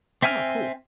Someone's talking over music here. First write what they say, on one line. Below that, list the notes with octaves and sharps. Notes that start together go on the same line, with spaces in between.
Oh, cool.
C4 E5 G5 G#5 F6